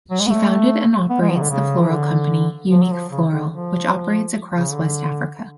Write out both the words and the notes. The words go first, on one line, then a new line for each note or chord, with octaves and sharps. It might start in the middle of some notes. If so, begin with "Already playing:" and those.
She founded and operates the floral company "Unique Floral" which operates across West Africa.
F#3
G#3
B3
A3
B3
G#3
F3
C#3
D3
C#3
F3
D3
F3
F#3
F3
C#3
D3
F3
C#3
D3